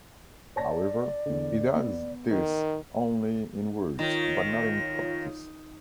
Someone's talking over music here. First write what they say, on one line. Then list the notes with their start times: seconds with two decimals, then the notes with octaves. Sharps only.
However, it does this only in words, but not in practice.
0.56 C#5 D5 A5 A#6
1.26 E2 D3
1.76 B3
2.31 D#3
3.99 D#3 F4 C#5 A#6